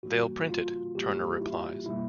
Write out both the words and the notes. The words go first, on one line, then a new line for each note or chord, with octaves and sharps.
"They'll print it," Turner replies.
A1 A2 E3 G3 A#3 F#4
F4
A1 A2 E3 G3 A#3 G4
E4
B2 G3 A#3 E4